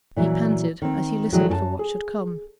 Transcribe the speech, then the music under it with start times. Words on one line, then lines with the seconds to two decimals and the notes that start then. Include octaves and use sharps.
He panted as he listened for what should come.
0.16 A#2 E3 F#3
0.82 D#3 C4
1.32 A2 D3 E3 F#3 G#3
1.49 F#2 A4 A5
1.79 G#4